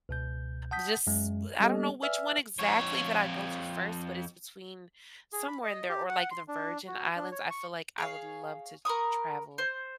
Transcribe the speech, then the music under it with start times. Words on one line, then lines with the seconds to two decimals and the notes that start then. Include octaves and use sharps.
just I don't know which one exactly that I'd go to first, but it's between somewhere in there or, like, the Virgin Islands. I feel like I would love to travel
0.09 C#2 B2 G6
0.71 F#5 A5 D#6 G6 B6
1.07 F#2 G#3
1.60 G3 A#3 B3 G4 A4 D#5
2.03 B4 D5 E5 G#5 E6 F6
2.59 F2 C#5
5.33 G#4
5.48 B5
5.63 D#5
5.89 G4
6.09 F#5
6.31 C6
6.48 D4
6.88 F#4
7.16 D4
7.32 C#5
7.50 C#6
7.98 G#4 C#5 F5
8.85 A#4 B5 C#6 D#6
9.58 C5